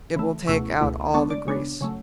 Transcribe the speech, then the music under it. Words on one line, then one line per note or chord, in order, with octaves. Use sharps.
It will take out all the grease.
C#3 E3 A3
C#2 B2 A3 E4 C#6 E6
C#2 B2 A3 E4
C#3 G#3 B3 D4 A5 C#6
D5
C#3 G#3 B3 D4 C#5
C#3 F#3 A3